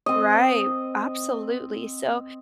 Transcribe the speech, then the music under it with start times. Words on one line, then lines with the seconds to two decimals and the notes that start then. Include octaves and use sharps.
Right. Absolutely, so,
0.06 C4 D#5